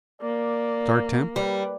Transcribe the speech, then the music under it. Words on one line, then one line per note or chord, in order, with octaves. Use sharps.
Start Temp.
A#3 D5
G3 B4